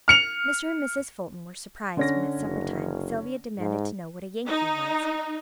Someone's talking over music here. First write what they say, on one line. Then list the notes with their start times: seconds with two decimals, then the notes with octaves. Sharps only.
Mr. and Mrs. Fulton were surprised when at supper time Sylvia demanded to know what a "Yankee" was.
0.08 F6 C#7 F7
1.97 D3 C#4 A#6
2.39 F#1
3.59 G#2
4.47 D#4